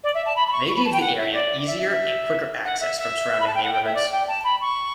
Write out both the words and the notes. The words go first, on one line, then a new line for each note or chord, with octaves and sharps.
They gave the area easier and quicker access from surrounding neighborhoods.
D5
E5
A5
B5
B5
C#6
C#6
B5
A5
G5
F#5
E5
D5
E5
E5
F#5
E5
E5
B5
A5
G5
F#5
G5
E5
D5
G5
A5
B5
C#6